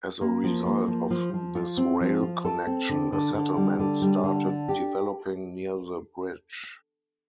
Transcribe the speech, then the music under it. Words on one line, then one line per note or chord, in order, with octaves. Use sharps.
As a result of this rail connection, a settlement started developing near the bridge.
A#3
F3
A#3
F3
F3
F3
F4
C4
F3
F4
A4
C4
D3
D3
D3
G3
D3
G3
D3
D4
G4